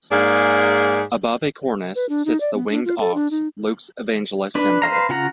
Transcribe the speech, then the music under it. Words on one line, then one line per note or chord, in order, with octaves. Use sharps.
Above a cornice sits the winged ox, Luke's evangelist's symbol.
G#2 A#3 G#4 D5
B4
D4
D#4
D5
B3
D4
F4
A4
D4
D#4
D4 B4
B4 C5 F5 A#5
C#3 F4 F#5 A#5